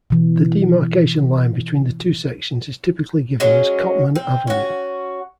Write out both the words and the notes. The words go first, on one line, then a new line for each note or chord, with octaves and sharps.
The demarcation line between the two sections is typically given as Cottman Avenue.
B2 E3
F#3 G#3 C#4
C4
C#4 F#4